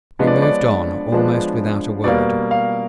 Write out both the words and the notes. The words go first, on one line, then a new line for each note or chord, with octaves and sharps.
We moved on almost without a word.
F3 G#3 B3 D4 D#5
D5
C#5
D5
F3 G#3 B3 D4
B2 G3 A#3 D5
F5